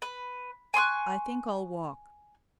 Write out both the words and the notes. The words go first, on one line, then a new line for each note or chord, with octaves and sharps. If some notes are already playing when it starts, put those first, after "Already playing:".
"I think I'll walk."
B4
G#5 C6 C#6 F#6